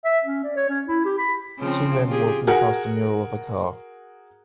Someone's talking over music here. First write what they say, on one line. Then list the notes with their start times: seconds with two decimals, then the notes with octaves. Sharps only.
Two men walking past a mural of a car.
0.05 E5
0.25 C#4
0.44 D5
0.56 C#5
0.69 C#4
0.88 E4
1.05 G4
1.18 B5
1.59 C#3 F3 C4
2.08 F4 G4 G#4
2.47 F#4 G#4 A#4 F#5